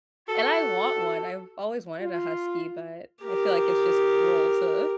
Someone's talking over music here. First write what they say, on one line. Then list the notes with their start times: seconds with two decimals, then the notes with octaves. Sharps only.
and I want one, I've always wanted a husky, but I feel like it's just cruel to
0.28 F#4 A4
2.01 F4
3.23 G4 A#4